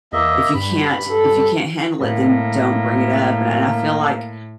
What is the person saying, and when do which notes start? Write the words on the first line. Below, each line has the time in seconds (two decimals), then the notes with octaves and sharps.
if you can't if you can't handle it, then don't bring it up, and I I feel like,
0.13 E2 A#3 D#5 E5
0.54 G2 B5
1.10 A4
2.01 A2 A#3